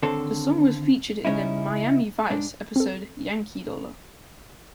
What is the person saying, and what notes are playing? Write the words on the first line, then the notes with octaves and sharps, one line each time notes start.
The song was featured in the "Miami Vice" episode "Yankee Dollar".
D3 D#3 C4 A4 C5 C#5
C#3 C#4 D#4 E4
G#2 D4
C4 A4